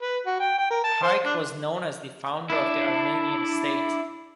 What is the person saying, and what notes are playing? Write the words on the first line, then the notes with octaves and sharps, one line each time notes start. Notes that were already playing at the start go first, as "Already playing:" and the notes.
Hayk was known as the founder of the Armenian state.
B4
F#4
G5
G5
A#4
A5
C5
D4
D4 E4